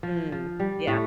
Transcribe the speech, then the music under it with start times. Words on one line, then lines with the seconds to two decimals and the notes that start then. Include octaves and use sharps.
Mm, yeah.
0.03 F3
0.32 F3
0.60 G3
0.87 A2 A3